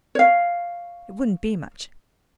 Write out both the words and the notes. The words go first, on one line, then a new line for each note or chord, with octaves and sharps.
It wouldn't be much.
C#5 F5